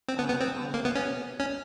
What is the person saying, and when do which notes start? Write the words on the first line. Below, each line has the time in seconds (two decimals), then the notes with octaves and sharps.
Um, I loved it.
0.08 C4
0.19 B3
0.30 B3
0.40 C4
0.74 A#3
0.85 B3
0.95 C#4
1.40 C#4